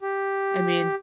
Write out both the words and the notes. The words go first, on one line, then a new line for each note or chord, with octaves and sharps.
I mean
G4